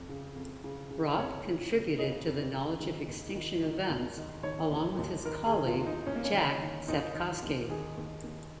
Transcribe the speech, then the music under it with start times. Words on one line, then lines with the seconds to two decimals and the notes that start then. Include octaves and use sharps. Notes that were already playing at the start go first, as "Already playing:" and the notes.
Raup contributed to the knowledge of extinction events along with his colleague Jack Sepkoski.
Already playing: F2
0.09 C#3
0.36 F2
0.64 C#3
0.90 C#3
1.17 F2 C#5
1.45 C#3
1.71 C#3
1.99 C#3 D#5
2.26 F2
2.54 C#3
2.80 D#3
3.08 D#2
3.36 D#3
3.62 D#3
3.90 D#2
4.17 D#3
4.43 D#3 C#5
4.71 D#2
4.98 D#2
5.25 D#3 A#4
5.46 G#4
5.53 D#3
5.66 F4
5.79 D#2
5.86 D#4
6.06 D#2 C#4
6.16 A#3
6.24 C#4
6.33 D#3
6.61 D#3
6.88 D#2 D#4
7.15 D#3
7.42 D#2
7.69 D#3 G#4
7.97 D#2
8.24 D#2